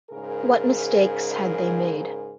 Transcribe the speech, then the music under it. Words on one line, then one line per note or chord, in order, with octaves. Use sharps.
What mistakes had they made?
G#2 C#3 G#4 A#4